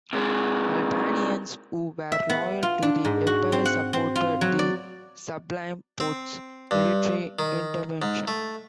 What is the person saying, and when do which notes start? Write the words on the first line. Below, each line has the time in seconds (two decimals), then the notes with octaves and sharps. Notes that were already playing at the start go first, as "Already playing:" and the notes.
Albanians who were loyal to the empire supported the Sublime Porte's military intervention.
0.13 C3 G#3
2.12 E5
2.29 B3
2.63 F4
2.82 D4
3.05 G#2
3.27 F#4
3.52 C4
3.65 F#5
3.93 C4
4.16 F4
4.41 F#3
4.59 D5
6.00 C4
6.71 G2
7.39 D#3
8.02 G#2
8.28 A3